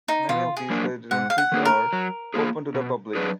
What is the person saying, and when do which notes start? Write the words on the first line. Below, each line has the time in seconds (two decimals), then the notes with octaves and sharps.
Many of these residences are open to the public.
0.08 D#4
0.29 B2 F4
0.57 G#4
0.70 F#3 A#3 D4
1.11 G#2 F#5
1.30 F5
1.38 F#5
1.52 D#3 A#3 D4 G#4
1.65 A#4
1.93 F#3
2.34 A#3 F4 G#4
2.74 B2
3.15 F#3 D4 G#4 B4